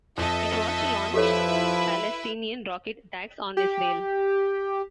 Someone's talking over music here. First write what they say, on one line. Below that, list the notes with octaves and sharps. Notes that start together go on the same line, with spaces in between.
It was to launch Palestinian rocket attacks on Israel.
F2 A4 D#5 E5
F3 E4 G4 A4 B4 C#5 E5
G4